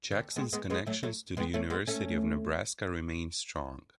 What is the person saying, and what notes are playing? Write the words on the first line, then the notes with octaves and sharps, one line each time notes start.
Jackson's connections to the University of Nebraska remain strong.
D3
G#3 B3
G#3 B3
G#3 B3
F#3 A3
F#3 A3
G#3 B3
A3 C#4
G#3 B3
A3 C#4